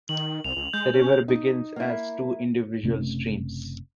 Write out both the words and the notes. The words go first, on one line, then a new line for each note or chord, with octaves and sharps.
The river begins as two individual streams.
D#3 F#7
C2 F7
C#2
G#3 G6
C#4
D#4
A#3 E4
F#1 C3 A3 C#4